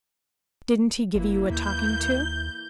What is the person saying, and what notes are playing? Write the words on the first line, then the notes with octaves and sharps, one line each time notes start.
"Didn't he give you a talking to?"
G1 E3 A#3 E4
D#2 G6